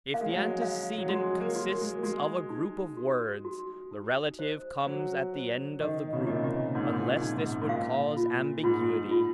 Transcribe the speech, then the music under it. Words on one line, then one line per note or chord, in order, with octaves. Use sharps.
If the antecedent consists of a group of words, the relative comes at the end of the group, unless this would cause ambiguity.
A#3 F5
G#3
F#3
G#3
F5
F#3
G#3 F#4
A#3
F#4
A#3
G#3
A#3
G#3 F#4
D#4
F#4
F#4
D#4
C5
F#3 C5
C5
D#3 D#5
C#3
C3
A#2 D#5
C3
A#2
G#2 D#4
A#2
G#2
A#2
D#4
G#2
G#2
A#2 F5
F4
G#2 F4
F4